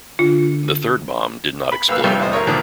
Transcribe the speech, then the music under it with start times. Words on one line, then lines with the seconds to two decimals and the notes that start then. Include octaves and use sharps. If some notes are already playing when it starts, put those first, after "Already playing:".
The third bomb did not explode.
0.19 D3 F4
1.72 B5
1.88 B1 A#3 B4 F5 E6
2.04 G2 C3 F3 G3
2.20 E2 A3 C5 D#5
2.32 D#2 A3 A#4 C#5 D#6
2.47 C#2 A#2 D3 D#3 F3